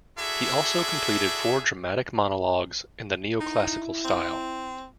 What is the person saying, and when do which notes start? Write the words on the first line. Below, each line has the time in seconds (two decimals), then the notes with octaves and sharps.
He also completed four dramatic monologues, in the neoclassical style.
0.18 E4 F#4 G#4 A4 D5 E5
3.40 D#4 E4
4.05 C4